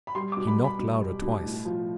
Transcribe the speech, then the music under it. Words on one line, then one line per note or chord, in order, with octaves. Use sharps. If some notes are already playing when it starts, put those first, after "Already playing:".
He knocked louder twice.
B5
G3 C6
D6
B2
B5
G3
B5
B2
G3
B2
A2
F3